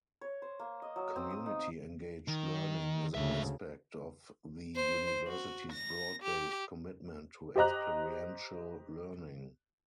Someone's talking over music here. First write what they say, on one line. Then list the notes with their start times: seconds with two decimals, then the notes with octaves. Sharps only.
Community-engaged learning is an aspect of the university's broad-based commitment to experiential learning.
0.21 C#5
0.42 C5
0.59 A#3
0.82 D#5
0.96 F#3
1.16 C4
1.30 D#6
1.46 D#4
2.28 D#3
3.15 D2 G#2 C#3 E5
4.76 C5
5.28 F#4
5.72 A#6
6.22 G4
7.56 G4 C5 D#5 A#5 F#6